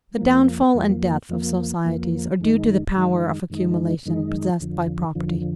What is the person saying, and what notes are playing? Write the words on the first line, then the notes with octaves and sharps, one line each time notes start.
The downfall and death of societies are due to the power of accumulation possessed by property.
F2 F3 A#3
F2 F3 A#3
F2 F3 A#3
F2 F3 A#3
F#2 D#3 G#3 D#4
F#2 D#3 G#3 D#4
F#2 D#3 G#3 D#4
F#2 D#3 G#3 D#4
F2 D3 F3
F2 D3 F3